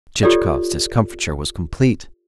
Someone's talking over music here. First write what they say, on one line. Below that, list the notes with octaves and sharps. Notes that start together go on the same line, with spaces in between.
Chichikov's discomfiture was complete.
F4 G4 A4 C#5 D5